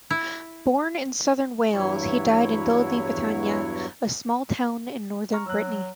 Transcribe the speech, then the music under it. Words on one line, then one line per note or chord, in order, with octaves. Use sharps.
Born in southern Wales, he died in Dol-de-Bretagne, a small town in north Brittany.
E4
E2 G2 F#3 E4 C#5
A#5 C#6 F6
F#3 E6 F#6